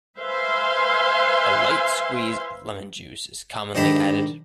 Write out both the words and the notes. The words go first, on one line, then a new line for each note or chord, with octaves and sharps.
A light squeeze of lemon juice is commonly added.
B4 C5 E5 F5 G#5 C6
G#2 D3 D#3 G4 A5 B5